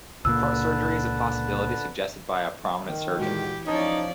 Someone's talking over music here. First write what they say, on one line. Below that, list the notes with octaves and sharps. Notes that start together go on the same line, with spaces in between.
Heart surgery is a possibility suggested by a prominent surgeon.
C#2 A#2 D3 A#3 B4 A5 E6
D#3
A#2 E3 G#3 F#4 G4
F3 C#4 D#4 C#5 D5 A5 D#6